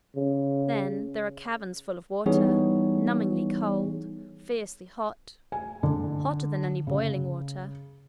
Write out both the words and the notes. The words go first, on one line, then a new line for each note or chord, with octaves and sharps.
Then there are caverns full of water, numbingly cold, fiercely hot--hotter than any boiling water.
C#3
E3 G3 B3 D#4 G#4 C#5
G#5
D3
C#3